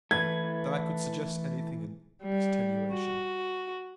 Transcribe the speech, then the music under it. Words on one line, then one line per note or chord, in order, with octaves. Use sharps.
That I could suggest anything in extenuation!
E3 A3 B4 G#6
G3
F#4